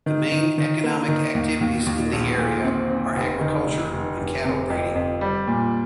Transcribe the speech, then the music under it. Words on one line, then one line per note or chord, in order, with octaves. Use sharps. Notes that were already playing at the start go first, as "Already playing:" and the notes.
The main economic activities in the area are agriculture and cattle breeding.
D#3
D#3
D#3
A#3
D#3
D#2
D#2
D#2
A#1
A#2
C4
C4
F1
D#3
F1
F1
F1
C3
F2
F2
G3
A#2